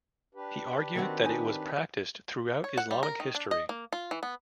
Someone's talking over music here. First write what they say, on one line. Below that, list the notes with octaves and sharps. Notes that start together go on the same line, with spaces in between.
He argued that it was practiced throughout Islamic history.
D4 G4 B4
D#3 C4 F#4
D#4 G#5
C#5
F#5
G3
A#4
D#3
D4
D#5
A#3
F4
E3
B3